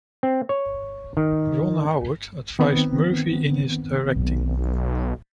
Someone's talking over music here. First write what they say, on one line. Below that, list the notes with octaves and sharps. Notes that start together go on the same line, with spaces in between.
Ron Howard advised Murphy in his directing.
C4
C#5
D#3
D#3 B3 C4
B1